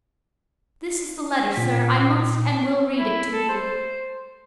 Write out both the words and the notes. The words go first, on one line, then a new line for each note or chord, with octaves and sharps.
This is the letter, sir; I must and will read it to you.
A#2 G5 B6
E4
A4
C5